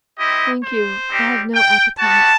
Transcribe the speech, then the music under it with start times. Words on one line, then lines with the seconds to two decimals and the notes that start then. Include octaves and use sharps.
"Thank you, I have no appetite."
0.19 C4 E4 G4 D#5
0.64 C5
1.09 G3 C4 D#4 G4
1.55 G5
2.00 G3 B3 F#4 A5